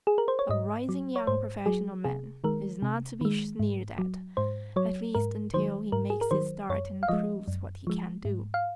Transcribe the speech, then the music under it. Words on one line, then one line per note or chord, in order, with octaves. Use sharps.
A rising young professional man is not to be sneered at, at least until he makes his start and proves what he can do.
G#4
A#4
C5
C#5
G#2 D#5
F#3
C#5
G#2 C5
F#3 G#4
C3 G#4
D#3 G#3 A#4
C3
D#3 G#3
G#2
F#3
G#2 C5
F#3 C#5
G#2 A#4
D#3 F#3 C5
G#2 A#4
G#4
A#4
D#3 F#3 C5
F#2 C#5
F5
F3 G#3 D#5
F#2
F3 G#3
G#2
F5